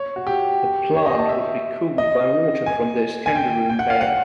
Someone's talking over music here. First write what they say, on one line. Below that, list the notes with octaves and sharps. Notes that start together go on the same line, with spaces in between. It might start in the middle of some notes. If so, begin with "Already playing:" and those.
The plant would be cooled by water from Iskenderun Bay.
Already playing: C#5
F#4
G4
C#5
D#5
A5
E5
D#5
G#5
G#5
G5
G5
F#5
F5
F#5